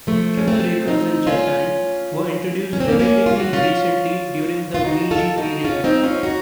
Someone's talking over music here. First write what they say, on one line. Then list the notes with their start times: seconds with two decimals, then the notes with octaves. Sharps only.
Chip breakers in Japan were introduced relatively recently during the Meiji period.
0.07 F3 A3
0.37 C#4
0.47 A3 C4
0.87 C4 D#4
1.27 C#4 F4
2.73 C#4
2.80 C4
2.88 A#3 C#4
2.99 A#3 C#4
3.26 F4
3.40 F#4
3.53 C#4 F4
4.74 F4
4.84 D#4 F#4
5.11 F4 A4
5.38 D#4 F#4
5.64 C#4 F4
5.84 C4 D#4
6.04 C#4 F4
6.23 D#4 F#4